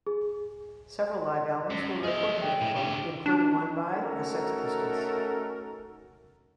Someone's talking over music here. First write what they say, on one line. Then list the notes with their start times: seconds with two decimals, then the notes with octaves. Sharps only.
Several live albums were recorded at the club, including one by the Sex Pistols.
0.07 G#4
1.70 F#2
2.03 G#4 D#5 E5
2.41 G5
2.61 A2
2.76 D3 G4
3.26 D4
3.94 A3 C#4 D#4 F#4 A4 A#4